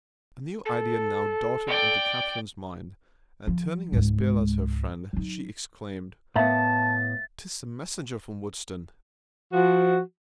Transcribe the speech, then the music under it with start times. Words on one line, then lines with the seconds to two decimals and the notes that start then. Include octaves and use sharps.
A new idea now darted into Catherine's mind, and turning as pale as her friend, she exclaimed, "'Tis a messenger from Woodston!"
0.65 A4
1.67 D5 G5
3.47 F3
3.92 C#2 G#2
5.13 F#3 D#4
6.36 A2 B3 A#4 E5 F5 A5 A6
9.53 F3 F#4